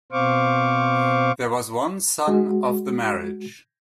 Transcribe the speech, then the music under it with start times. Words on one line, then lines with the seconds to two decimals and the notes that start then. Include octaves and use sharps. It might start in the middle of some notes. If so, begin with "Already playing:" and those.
There was one son of the marriage.
0.12 B2 C4 C5 F5 C#6 D6
2.28 G#3 F#4